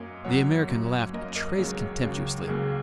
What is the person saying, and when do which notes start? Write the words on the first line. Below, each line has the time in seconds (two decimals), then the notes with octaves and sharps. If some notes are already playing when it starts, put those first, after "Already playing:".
The American laughed a trace contemptuously.
Already playing: F#2 F#3 A#3 D#5 G#5
0.25 F#2 F#3 A#3 C#5 F#5
0.69 F#2 F#3 A#3
1.13 F#2 F#3 A#3 A#4 D#5
1.36 A#4 D#5
1.58 C#2 C#3 F#3 A#3 G#4 C#5
2.03 C#2 C#3 F#3 A#3
2.43 G#4
2.47 C#2 C#3 F#3 A#3 A#4